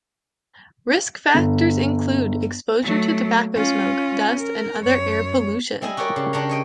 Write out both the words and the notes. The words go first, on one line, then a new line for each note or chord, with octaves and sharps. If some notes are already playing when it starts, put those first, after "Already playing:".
Risk factors include exposure to tobacco smoke, dust, and other air pollution.
G1
F#3 A3
C#4 F4
A#4
F#2 C#5
G3 E4 G#4 D#5
F#4 G4 A#4 C#5 D5
C#3
C#3 D4 G4 F#5 A#5
C#5 D#5 G5